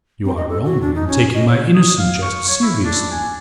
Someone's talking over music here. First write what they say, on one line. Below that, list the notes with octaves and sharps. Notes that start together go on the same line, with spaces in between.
"You are wrong in taking my innocent jests seriously."
C4
D#5
A4
F#4
D4
D#4
C#4
D#5
C#5
D#6
F5
C#6
C#5
E4
D4
G#5